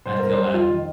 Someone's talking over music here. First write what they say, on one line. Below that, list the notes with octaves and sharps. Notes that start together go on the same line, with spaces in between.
I feel that.
G2 C5
G2 A#4
C5
G3
F2 F4
D#3